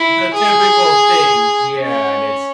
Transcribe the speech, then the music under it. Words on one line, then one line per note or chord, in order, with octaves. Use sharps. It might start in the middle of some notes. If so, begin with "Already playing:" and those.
The typical things, yeah. And it's
Already playing: E4
G#4
C#4